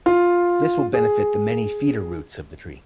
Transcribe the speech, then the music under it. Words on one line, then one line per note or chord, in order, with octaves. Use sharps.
This will benefit the many feeder roots of the tree.
F4
G#4